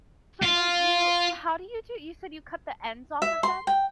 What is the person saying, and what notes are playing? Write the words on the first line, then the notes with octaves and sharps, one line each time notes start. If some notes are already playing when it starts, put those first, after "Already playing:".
So, wait, you how do you do you said you cut the ends off of them?
F4
E5
C6
G5